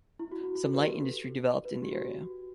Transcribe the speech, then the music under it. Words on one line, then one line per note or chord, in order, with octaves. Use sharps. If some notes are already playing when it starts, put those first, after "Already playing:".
Some light industry developed in the area.
E4
F#4
F#4
F#4
A4
B4
G4
B4
F#4
G4
F#4